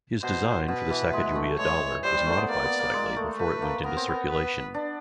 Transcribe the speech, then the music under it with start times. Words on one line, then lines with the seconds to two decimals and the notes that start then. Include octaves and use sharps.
His design for the Sacagawea dollar was modified slightly before it went into circulation.
0.22 B2 C5
0.68 B2 B4
0.90 E3
1.13 G#3
1.35 A3
1.58 G#3 C#5
2.04 G3 C5
2.15 G3
2.26 A3
2.37 B3
2.49 A#3 D5
2.64 B3
2.79 A#3
2.94 G#3
3.16 A3
3.39 A3 B4
3.62 A#3
3.84 B3 A#4
3.97 C4
4.08 B3
4.29 B4
4.74 D4